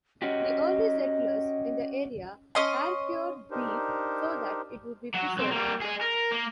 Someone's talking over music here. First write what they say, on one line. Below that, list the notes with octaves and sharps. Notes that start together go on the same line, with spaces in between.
The early settlers in the area air-cured beef so that it would be preserved.
C#4 F#4 G4 D#5
C#4 D#5 C6
D4 D#4 G4 A#4 C5
F#3
B1 C4
G3 A#3
G#4 D#5
A#4
A#3